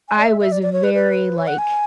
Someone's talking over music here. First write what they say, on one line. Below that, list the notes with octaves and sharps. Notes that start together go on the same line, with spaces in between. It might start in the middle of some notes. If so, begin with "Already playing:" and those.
I was very, like,
G#5
D5
E5
E5
D5
D5
C#5
B4
B4
C#5
F#5
G#5